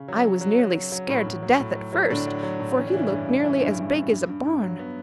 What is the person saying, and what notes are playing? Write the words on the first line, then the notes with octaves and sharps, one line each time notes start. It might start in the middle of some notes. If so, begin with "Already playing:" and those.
I was nearly scared to death at first, for he looked nearly as big as a barn.
Already playing: C#3
F#3
F#3
F#3
F#3
F#3
F#3
A2
A2
F#3
A2
F#3
F#3
A2 D3 D4
F#3
F#3
A2
E3 C#4
D4
C#3 E3 C#4
G2
G2
E3
G2
E3
G2
G2
G2
G2
F#3
B3